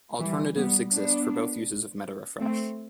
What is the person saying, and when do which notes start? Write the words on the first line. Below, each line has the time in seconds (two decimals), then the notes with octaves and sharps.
Alternatives exist for both uses of meta refresh.
0.19 E3 G3
0.56 G3 B3
0.93 B3 D4
2.39 A3 C4